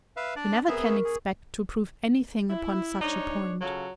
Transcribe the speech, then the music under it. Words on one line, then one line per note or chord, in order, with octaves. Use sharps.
We never can expect to prove any thing upon such a point.
B4 E5 F5
D4 D5
B3 C4 G#4 A#4 E5
B5 C#6 D6
G#4
E4
G#2 D4 D#4 C#5
C#3 F#3 F4 A4